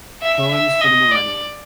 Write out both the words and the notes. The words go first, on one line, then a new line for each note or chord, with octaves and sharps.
Poems for the Millennium.
E5
E5
D#5
D5